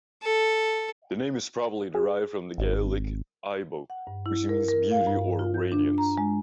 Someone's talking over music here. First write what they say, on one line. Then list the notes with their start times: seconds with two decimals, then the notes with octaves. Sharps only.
The name is probably derived from the Gaelic "aoibh", which means "beauty" or "radiance".
0.22 A4
1.95 G#4
2.58 G#1
3.90 F#5
4.07 G2
4.26 E4
4.49 A#4
4.69 A#4
4.91 F5
5.06 G2
5.39 F4
5.54 G6
5.72 D4
5.98 A#5
6.17 G#3